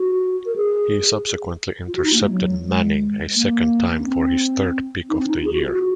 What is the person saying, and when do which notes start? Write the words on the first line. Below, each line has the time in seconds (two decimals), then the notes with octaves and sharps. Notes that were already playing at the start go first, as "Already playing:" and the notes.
He subsequently intercepted Manning a second time for his third pick of the year.
Already playing: F#4
0.46 A#4
0.56 G#4
1.88 F4
1.95 F#4
2.04 D#4
2.13 A#3
2.22 G#3
2.30 F#3
2.66 G#3
3.35 A#3
3.99 C#4
4.05 C4
5.09 D#4
5.18 C4
5.27 D#4
5.36 F4
5.45 G#4
5.53 F#4
5.61 F4
5.69 F#4